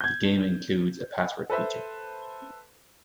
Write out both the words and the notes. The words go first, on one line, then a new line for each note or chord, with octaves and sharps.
The game includes a password feature.
G6 G#6
A4 B4 C5 E5